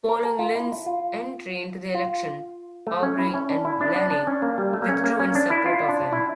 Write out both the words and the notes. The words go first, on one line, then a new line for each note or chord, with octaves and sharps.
Following Lynch's entry into the election, Haughey and Blaney withdrew in support of him.
A#4
A4
F4
E4
F4
F4
A3
C#4
E4
C#4
D4
E4
D4
D4
D4
C#4
A#3
G3
A3
A#3
C#4
A#3
C#4
D4
E4
F4
D4
E4